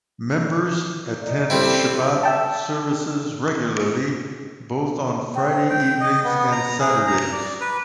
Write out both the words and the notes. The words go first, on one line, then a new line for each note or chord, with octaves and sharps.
Members attend Shabbat services regularly both on Friday evenings and Saturdays.
D#4 D5
G3 C4 E4 G4 A4
E5 G5 A5
C4
G5
D#5
B3
A#5
G#4
A#5
D5
B4